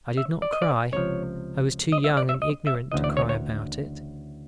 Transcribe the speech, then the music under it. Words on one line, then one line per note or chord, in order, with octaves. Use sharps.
I did not cry: I was too young and ignorant to cry about it.
E5
D5
D#5
D5
C#2 C3 F3 C#5
D#5
E5
D5
E5
D#5
E5
D2 C#3 E3 D#5
D5
C#5
C#5